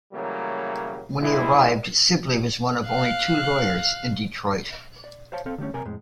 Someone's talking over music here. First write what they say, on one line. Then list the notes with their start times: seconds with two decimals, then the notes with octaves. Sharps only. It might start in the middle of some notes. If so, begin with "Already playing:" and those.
When he arrived, Sibley was one of only two lawyers in Detroit.
0.13 C#3 E3 F#3 G3 A3 A#3
1.20 E3 G3 G#3 E4
2.87 F5 F#6
5.04 D5
5.32 C5 C#5 F5 A5
5.46 C4 A4 F5
5.58 D3 G3 A3 C#4
5.74 B1 C3 A#4 G#5
5.85 F2 A2 G#3